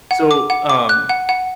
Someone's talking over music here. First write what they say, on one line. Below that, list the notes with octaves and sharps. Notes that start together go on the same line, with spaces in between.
so, um,
F#5
D6
F#5
D6
F#6
F#5
F#5